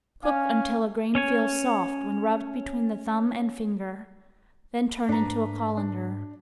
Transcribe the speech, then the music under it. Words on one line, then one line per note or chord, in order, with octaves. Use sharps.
Cook until a grain feels soft when rubbed between the thumb and finger, then turn into a colander.
C#4 F5 G#5
C#4 C#5 G#5
G#2 D4 B4 A#5
D4